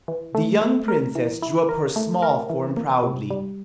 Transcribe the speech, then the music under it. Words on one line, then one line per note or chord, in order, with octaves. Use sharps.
The young princess drew up her small form proudly.
E3
A3
A3
A#4
E3
E4
A#4
A3
A#4
E3
A#3
C3
G3